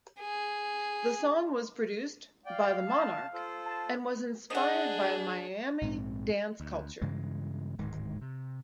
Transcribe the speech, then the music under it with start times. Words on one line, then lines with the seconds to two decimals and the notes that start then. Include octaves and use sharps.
The song was produced by The Monarch and was inspired by Miami dance culture.
0.20 G#4
2.46 D5 F5 G5
2.88 A5
3.34 F4 A4 C5
3.65 A5
4.50 D4 G#4 D#5 F#5
5.81 A#1 G#2 C4
6.60 D2
7.01 G2 C#3 E3 G#3
7.78 D1 G#2 D#3 G#3
8.21 C3